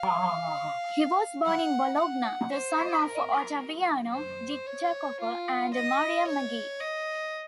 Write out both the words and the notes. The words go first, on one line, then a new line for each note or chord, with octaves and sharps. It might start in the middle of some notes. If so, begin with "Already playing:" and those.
He was born in Bologna, the son of Ottaviano di Jacopo and Maria Maggi.
Already playing: F5
F#5
F#5
C5
A#4
C5
C#5
F4
D#5
C#5
D#5